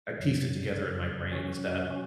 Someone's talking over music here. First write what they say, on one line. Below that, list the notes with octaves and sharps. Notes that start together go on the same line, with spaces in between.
I pieced it together in my brain is that,
F#2 C#3 F#3
F#2 C#3 F#3
C3 F#3 C#4 F#4
C3 F#3 C#4 F#4